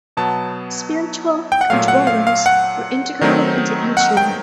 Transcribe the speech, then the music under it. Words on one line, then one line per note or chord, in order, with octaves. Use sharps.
Spiritual "controllers" were integrated into each unit.
B2 F#3 B3 A5
G5
F#5
A#2 F#3 A3 F5
F#5
F5
F5
F#5
D#3 F#3 A3 C4 D#4
F#5
G5